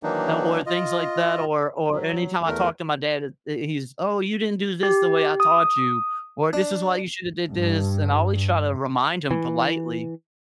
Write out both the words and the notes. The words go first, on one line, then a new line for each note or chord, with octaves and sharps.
Uh, or things like that, or or anytime I talk to my dad it it he's, "Oh, you didn't do 'this' the way I taught you," or "This is why you shoulda did 'this'." And I always try to remind him politely,
D#3 E3 F#3 A#3 D4 D#4
F4 D#5
F#3
E2 A3 A#4
G4
D#6
D4
G2
E3